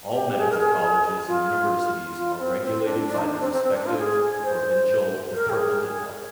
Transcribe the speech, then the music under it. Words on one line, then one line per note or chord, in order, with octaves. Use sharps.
All medical colleges and universities are regulated by the respective provincial department of health.
G4
G#4
A#4
G#4
F4
F4
C4
C4
D4
D4
D#4
D4
C4
C4
C4
D4
F4
G#4
C5
A#4
G4
G#4